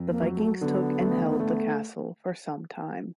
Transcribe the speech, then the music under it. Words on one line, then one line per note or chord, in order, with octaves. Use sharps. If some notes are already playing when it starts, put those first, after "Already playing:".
The Vikings took and held the castle for some time.
Already playing: F2
A#3
F#3
A3
D3 B3
A3
A3